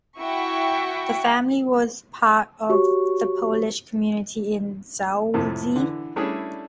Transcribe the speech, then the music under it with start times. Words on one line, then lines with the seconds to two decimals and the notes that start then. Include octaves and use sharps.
The family was part of the Polish community in Zaolzie.
0.19 E4 F#4 G5 C#6
2.69 F#4 G4 C#5 C#6
5.34 F2 A2 C3 A3
5.76 D3 E3
6.16 G3 A3 C#4 D4 E4 G#4